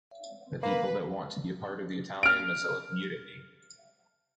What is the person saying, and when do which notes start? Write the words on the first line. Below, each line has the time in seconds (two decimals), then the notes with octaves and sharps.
The people that want to be a part of the Italian Mozilla community.
0.63 A#3 B4
2.23 F6 D7